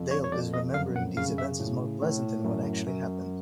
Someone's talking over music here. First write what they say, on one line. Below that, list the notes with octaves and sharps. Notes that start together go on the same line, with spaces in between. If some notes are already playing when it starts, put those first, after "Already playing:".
Dale is remembering these events as more pleasant than what actually happened.
Already playing: F2
C#5
C#5
F2 D5
D#5
F#2 F5
F#5
C#3 F5
E5
A2
A2
F#2
F#2